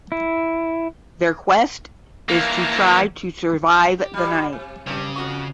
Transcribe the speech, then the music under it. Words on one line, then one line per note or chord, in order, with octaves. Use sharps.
Their quest is to try to survive the night.
E4
E3 A#3
G4
A#2 G3
C3
G2 C#3 G3
F2 F#4 C#6